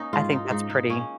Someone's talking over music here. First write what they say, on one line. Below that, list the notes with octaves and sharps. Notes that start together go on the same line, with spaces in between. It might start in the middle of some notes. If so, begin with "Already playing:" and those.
I think that's pretty.
Already playing: A#3 C#4 D#4
G#2 F4
D#4
G#2 D#4
D#4
A#3 C#4